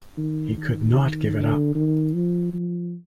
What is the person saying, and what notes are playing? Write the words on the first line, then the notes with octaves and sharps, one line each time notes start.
He could not give it up.
D#3
D#3
D3
D#3
F3
F3